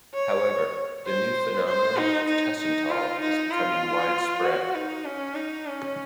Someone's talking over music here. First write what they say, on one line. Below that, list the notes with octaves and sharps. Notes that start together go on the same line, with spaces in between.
However, the new phenomenon of tussentaal is becoming widespread.
C#5
C5
C5
D#4
D#4
D#4
F4
D#4
F4
F#4
D#4
C#4
D#4
C#4